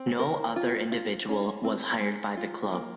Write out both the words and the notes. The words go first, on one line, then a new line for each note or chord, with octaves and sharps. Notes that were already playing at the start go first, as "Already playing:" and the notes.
No other individual was hired by the club.
Already playing: C4
A#4
F4
F4
C#4
C4
G#3
F4
A#3